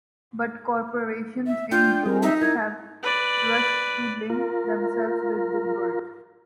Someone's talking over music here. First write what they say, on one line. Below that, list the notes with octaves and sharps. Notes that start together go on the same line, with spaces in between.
But corporations in droves have rushed to link themselves with "Dilbert".
E5
D4 F4 G5 G6
G3 C4 A#4
D#4 E5
E4 A#4 G#6
B4 D5
F4 A#4